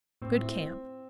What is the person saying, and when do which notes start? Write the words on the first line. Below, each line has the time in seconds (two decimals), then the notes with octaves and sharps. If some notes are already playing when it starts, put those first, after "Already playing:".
Good camp.
0.22 A2 C4
0.41 E4